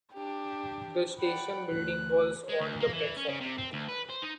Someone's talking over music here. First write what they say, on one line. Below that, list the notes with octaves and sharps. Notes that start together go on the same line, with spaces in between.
The station building was on the platform.
D4 G4
D5 F#5 G5 B5
D2 F#6
G#3
D2
A#3
E3
C#4
C#3
C3
C4
D2
B4
C5
D#4